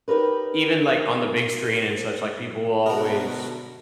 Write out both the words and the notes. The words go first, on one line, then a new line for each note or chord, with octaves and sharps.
even, like, on the big screen and such, like, people always
D#4 G4 A#4 B4
B2 D3 F#4 A4 A#4 A5